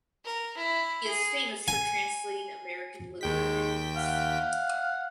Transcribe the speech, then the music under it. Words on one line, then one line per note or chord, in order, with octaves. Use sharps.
He is famous for translating American literary works.
A#4
E4
G#4
G#5
D#2 D#3 G#3 G5 B6
F5 F#5